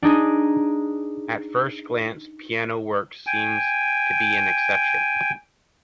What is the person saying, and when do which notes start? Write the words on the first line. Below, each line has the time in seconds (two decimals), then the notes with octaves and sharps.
At first glance, "Piano Works" seems to be an exception.
0.02 D4 D#4 G#4
3.27 G5 G#5